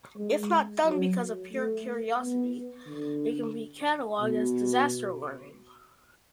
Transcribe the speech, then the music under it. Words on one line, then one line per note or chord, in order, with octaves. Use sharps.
If not done because of pure curiosity, it can be cataloged as disaster learning.
G#3
F#3
A3
B3
D3
B2